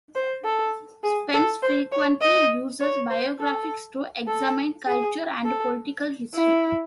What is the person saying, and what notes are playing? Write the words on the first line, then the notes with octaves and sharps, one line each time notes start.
Spence frequently uses biographies to examine cultural and political history.
C5
A4
G#4
A4
C5
C#5
D#5
C#5
C5
A4
A4
G#4
A4
E4